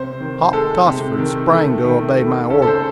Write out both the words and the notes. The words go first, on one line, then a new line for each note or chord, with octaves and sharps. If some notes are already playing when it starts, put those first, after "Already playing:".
Hop Tossford sprang to obey my order.
Already playing: C3 C5
D#3
G#3 A4
C3
D#3
A3
D#3
A3
C#3 A4
A4
C5